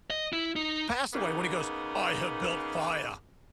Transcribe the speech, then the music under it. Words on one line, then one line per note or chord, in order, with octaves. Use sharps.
passed away when he goes, "I have built fire."
D#5
E4
D#4
C#3 A#3 B3 D#4